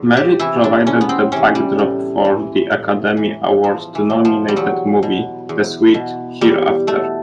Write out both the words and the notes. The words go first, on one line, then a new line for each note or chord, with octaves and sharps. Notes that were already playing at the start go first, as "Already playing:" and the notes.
Merritt provided the backdrop for the Academy Award-nominated movie "The Sweet Hereafter".
Already playing: E2
G4
C3 E3 E4
D4
E2 C#4
B3
C4
C3 E3 C#4
G3
A2
E3
A2
E3
E2 F3
E3
B2
F3
G3
E2 F#3
B2
E2
B2
E2 G3
B2 A3